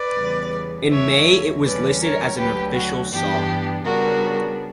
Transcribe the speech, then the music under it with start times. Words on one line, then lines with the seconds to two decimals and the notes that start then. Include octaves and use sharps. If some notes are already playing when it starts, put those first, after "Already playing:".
In May it was listed as an official song.
Already playing: B4 D5
0.16 E2 C#3 G3 B3
0.89 E2 D3 G3 A#3 C#5 E5
1.63 E2 D3 G3 C#4 B4 D5
2.00 A#4 C#5
2.37 D2 D3 F#3 G4 B4
2.74 F#4
3.11 G2 E3 B3 D4 G4
3.84 C#3 G3 B3 D4 F#4 A#4